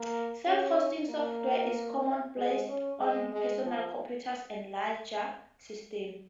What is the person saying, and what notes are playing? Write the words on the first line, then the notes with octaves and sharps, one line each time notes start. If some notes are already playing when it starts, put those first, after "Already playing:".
Self-hosting software is commonplace on personal computers and larger systems.
Already playing: A#3
C#4
A#3
G#3
C#4
G#3
G#3
F3